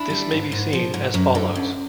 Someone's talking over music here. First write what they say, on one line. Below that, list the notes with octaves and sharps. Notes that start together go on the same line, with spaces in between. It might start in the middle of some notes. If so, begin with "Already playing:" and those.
This may be seen as follows.
Already playing: D4 E4
G3
G#2
G#2
F3
G#2
F#2
D3
F#2